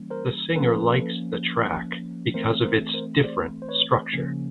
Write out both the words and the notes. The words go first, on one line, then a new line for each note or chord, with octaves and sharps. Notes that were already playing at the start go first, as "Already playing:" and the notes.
The singer likes the track because of its "different" structure.
Already playing: E3 G3 A#3 C#4
A#4 C5
F3 A#3 C#4 A4 B4
E3 A3 C4 A#4 C5
A#4 C5
A#4 C5
C5 D5
C5
B4 C#5
C#3 F3 A#3 C#4